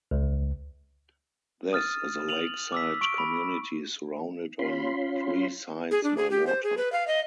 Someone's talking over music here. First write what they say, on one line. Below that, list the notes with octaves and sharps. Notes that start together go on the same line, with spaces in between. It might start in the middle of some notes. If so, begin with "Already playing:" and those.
This is a lakeside community surrounded on three sides by water.
C#2
D#6 F6 A6 D#7
D#7 F7 F#7
D6 E6 B6
C#6 D7
B5
C#4 F4 B5 C6
G#4
D4
G#4
G4
C5
G#4
B4
F5
D#5